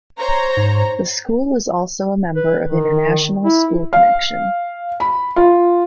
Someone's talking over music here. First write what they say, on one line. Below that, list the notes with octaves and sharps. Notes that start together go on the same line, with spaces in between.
The school is also a member of International School Connection.
C5 C#5 A#5
G#2
B4
D#3
E4
F5
B5
F4